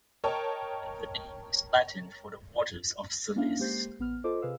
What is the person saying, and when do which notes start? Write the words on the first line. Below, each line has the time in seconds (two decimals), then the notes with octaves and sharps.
The name is Latin for the waters of Sulis.
0.24 A#4 C#5 D#5 G5 A5
3.36 A#3 C#4 D4 E4 E5 F5
3.59 G#3 A#3 G4 C5 G6 C7
3.99 A1 B3 F6
4.24 F4 A4 C5 D#5 D6
4.42 C3 G#4 B4 F5 E6